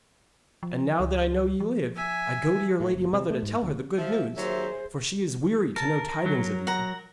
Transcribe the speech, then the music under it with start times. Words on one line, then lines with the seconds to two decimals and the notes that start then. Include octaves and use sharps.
And now that I know ye live, I go to your lady mother to tell her the good news, for she is weary to know tidings of you.'
0.63 F3
1.00 C#2
1.60 F3
1.96 E5 G#5
2.80 A2
2.93 F#1
3.13 C3
3.30 A3
3.43 G#2
3.63 D2
3.98 F3 E5
4.36 D#2 F#3 G#4 C5 E5
5.76 A#4 A5
6.26 F#3
6.67 F#5 A#5